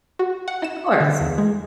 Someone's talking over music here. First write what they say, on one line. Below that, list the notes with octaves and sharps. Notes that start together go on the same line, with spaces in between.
Of course.
F#4
F#5
E7
D3
E2
G#3